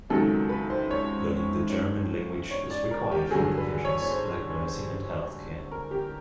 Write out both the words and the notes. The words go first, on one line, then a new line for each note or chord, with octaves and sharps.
Learning the German language is required for professions like nursing and healthcare.
C#2 C3 D#3 F#3 A4
B4
C5
C#5
C#5
C#5
D5
A#4
G4
G2 D3 F#3 G#4
B4
C#5
C#5
C5
A#4
G4